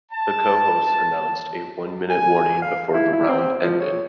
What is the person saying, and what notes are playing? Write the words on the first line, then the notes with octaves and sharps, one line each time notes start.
The co-host announced a one-minute warning before the round ended.
A5
G#5
F5
E4
E4
C4
F3
C#5